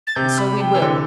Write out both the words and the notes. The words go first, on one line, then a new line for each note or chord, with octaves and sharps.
And so we will!
A6
C3 G6
B5
G5
E3
D3